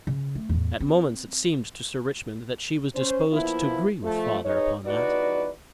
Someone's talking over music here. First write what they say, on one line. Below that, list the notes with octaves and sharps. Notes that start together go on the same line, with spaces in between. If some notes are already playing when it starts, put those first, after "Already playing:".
At moments it seemed to Sir Richmond that she was disposed to agree with father upon that.
C#3
A3
E2 A2
C4
C#4 C5
F3 A#3 B3 E4
F3 A3
D#4 G#4 B4 C#5
E2 G2 D#4 F#4 B4 D5